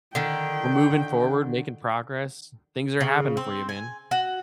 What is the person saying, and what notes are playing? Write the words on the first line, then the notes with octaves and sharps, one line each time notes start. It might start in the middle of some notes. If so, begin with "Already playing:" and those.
we're moving forward, making progress. Things are happening for you, man.
D3 D#3 G5
C#3
C4
G#5
F#4